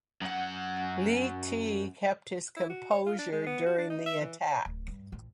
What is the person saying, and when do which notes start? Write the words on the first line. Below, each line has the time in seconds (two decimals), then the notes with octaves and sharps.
Li Te kept his composure during the attack.
0.22 F#2 F#5
2.56 E4
2.70 F#4
2.91 C#5
3.06 F4
3.19 D4
3.32 G#3
3.47 B3
3.66 F#4
3.78 D4
3.90 D#4
4.06 E5
4.21 E3
4.66 D1
4.88 G2
5.12 A1 F2